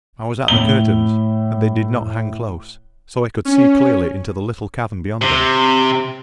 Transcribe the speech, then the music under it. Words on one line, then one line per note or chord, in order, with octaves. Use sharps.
I was at the curtains, and they did not hang close, so I could see clearly into the little cavern beyond them.
A2 G7
C#4
C3